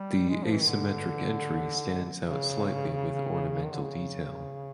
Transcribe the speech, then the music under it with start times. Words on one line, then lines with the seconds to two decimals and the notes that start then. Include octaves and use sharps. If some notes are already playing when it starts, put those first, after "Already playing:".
The asymmetric entry stands out slightly with ornamental detail.
Already playing: G3
0.29 G#3
0.44 F3
0.52 E3
0.61 D#3
0.68 D3
2.24 C#3
3.64 D#3
3.73 D3
3.82 C#3